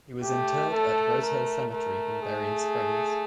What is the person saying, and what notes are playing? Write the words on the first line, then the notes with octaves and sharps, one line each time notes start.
He was interred at Rose Hill Cemetery in Berrien Springs.
A3 G4
A4
A#4
A3 A#4
G#4